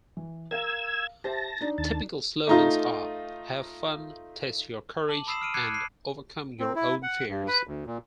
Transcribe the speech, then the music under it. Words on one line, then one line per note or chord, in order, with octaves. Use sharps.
Typical slogans are: Have fun, Test your Courage and Overcome your Own Fears.
E3
A#4 F5 E6 G#6
G4 C5 E5 A5 A#6
D4 D#4
D#2 A5
A3 D#4 F4
A5 D6 F#7
B5 D#6 E6 C7 E7
F6 D7 D#7
D6 F#6 G#6 C7 C#7
C7
C4
E4
F#5
G2
B4
D2
A#2